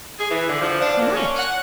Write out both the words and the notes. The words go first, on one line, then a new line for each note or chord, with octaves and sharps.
"How much?"
G#4
E3
D3
F3
D4
A#2
C#4
F#5